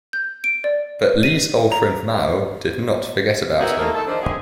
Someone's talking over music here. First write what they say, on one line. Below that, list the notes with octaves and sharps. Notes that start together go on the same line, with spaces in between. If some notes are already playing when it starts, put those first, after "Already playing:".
But Li's old friend Mao did not forget about him.
G6
D7
D5
D#7
A#5
B3 D#4 E4 F#4 G#4 A#4
A3 A#3 D#4 E4 A4 A#4
D#3 A4
D#3 F3 G#3 D4
A#2 D3 C4 G4 G#4